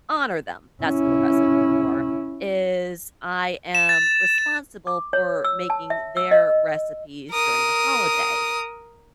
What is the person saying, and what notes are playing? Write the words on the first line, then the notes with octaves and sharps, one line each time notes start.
honor them, that's the word I was looking for, is I am responsible for making their recipes during the holiday.
C#4 E4
E7
A6
E7
D6
C#5
E6
A5
E5
E6
D#5
A#4 D#6